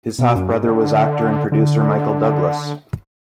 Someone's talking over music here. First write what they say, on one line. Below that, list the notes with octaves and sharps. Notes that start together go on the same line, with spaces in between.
His half brother was actor and producer Michael Douglas.
B2
F#2
G#2
D3
D3